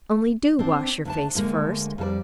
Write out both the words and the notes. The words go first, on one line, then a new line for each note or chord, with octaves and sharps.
Only do wash your face first.
C4 D4
D2 D4 A5
D2 D3 G#3 A#3
F2 G3 A4 D5